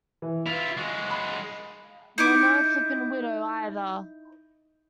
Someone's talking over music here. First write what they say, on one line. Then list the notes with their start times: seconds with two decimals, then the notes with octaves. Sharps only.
You're no flipping widow, either!
0.22 E3
0.46 E4 F4 F7
0.77 G#3 F#4
1.10 B5
2.18 D#4 E4 D6